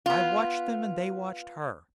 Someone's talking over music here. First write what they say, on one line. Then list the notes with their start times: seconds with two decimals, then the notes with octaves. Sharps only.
I watched them and they watched her.
0.06 B3 F4